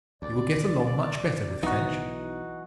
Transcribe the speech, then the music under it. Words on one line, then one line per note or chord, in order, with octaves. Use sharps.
You will get along much better with French.
D2 D5
B1 E3 D#4 F#4